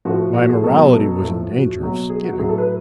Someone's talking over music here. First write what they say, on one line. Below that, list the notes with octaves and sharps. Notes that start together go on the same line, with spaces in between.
My morality was in danger of skidding.
A2 F3 F#4
F#4
G#4
B2 F#3 A4
A4
A2 F3
F#4
B2 F#3
G#4
F#4
A2 F#3 G#4
A4
B4